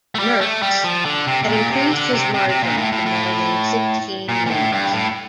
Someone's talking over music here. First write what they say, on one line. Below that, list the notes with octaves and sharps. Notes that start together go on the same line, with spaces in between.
Merckx had increased his margin to more than sixteen minutes.
A3
G3
A3
G3
F3
D3
C3
C3
A#2
C3
D3
C3
C3
C3
A#2
A2
A2
A2
A#2
A#2
A2
G2
A2